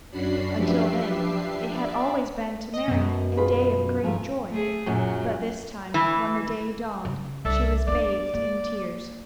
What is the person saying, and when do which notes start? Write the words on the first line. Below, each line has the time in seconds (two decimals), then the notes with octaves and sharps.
Until then it had always been to Mary a day of great joy, but this time, when the day dawned, she was bathed in tears.
0.11 F#2 C#4 D4 F#4 B5 C7
0.55 F3 D4 G4 B4 E5 C7
1.64 D5 E5
2.74 D#5
2.88 F#2 B2
3.37 F4 G#4 B4
4.03 G#2 F3 A3
4.50 A3 G#4
4.86 F#2 A#2 F#3
5.94 E3
7.05 C#3
7.45 C2 D4 A4 E5
7.88 B3 D4 D5
8.34 A#3